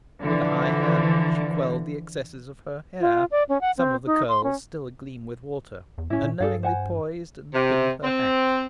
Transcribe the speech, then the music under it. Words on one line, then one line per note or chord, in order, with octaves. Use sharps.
With a high hand she quelled the excesses of her hair--some of the curls still agleam with water--and knowingly poised and pinned her hat.
D3 E3 F3
F4
D5
C#4
F#5
C4
D#4
C6
C#4
E2
A2 C#4 E4
A#2
G2 G#4 A4 F5
C5 F#5 G#5
C3
C4